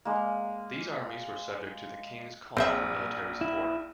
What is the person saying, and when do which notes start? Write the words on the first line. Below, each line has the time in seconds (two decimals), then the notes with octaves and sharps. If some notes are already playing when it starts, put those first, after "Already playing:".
These armies were subject to the king's call for military support.
0.05 G#3 A#3
2.57 A#1 C4 C5 E5
3.41 E4